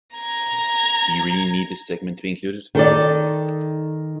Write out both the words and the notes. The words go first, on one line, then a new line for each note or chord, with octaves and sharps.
Do you really need this segment to be included?
A#5 G#6
D#3 A4 D5